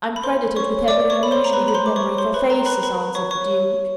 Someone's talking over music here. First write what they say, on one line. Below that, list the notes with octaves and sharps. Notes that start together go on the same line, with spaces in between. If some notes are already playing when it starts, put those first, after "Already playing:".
"I'm credited with having an unusually good memory for faces," answered the Duke.
B5
C5 C6
C#5 C#6
D5 D6
C#5 C#6
B5
C5 C6
A#5
B4 B5
B5
C5 C6
D6
C#5 C#6
C5 C6
B4 B5
A#4 A#5
B4 B5
B4 B5
C#5 C#6
C#5 C#6